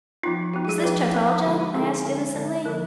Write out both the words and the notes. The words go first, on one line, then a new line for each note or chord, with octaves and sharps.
'Is this Chataldja?' I asked innocently.
F3 B3 D#4 F4
F3 B3 D#4 F#4
F#4
G#4
D5
F3 B3 D#4 B4
F3 B3 D#4 A#4
D3 G#3 D#4 F#4
F#4
D3 G#3 D#4 G#4
D3 G#3 D#4
D3 G#3 D#4
D3 F3 A#3 A#4